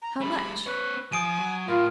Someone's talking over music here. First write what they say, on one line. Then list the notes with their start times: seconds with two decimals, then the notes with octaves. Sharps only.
"How much?"
0.02 A#5
0.21 G3 A3 B5
0.67 C4 B4 C#5
1.12 F3 G#5 D#6 D7 D#7
1.40 F#3
1.68 A2 F4 A#4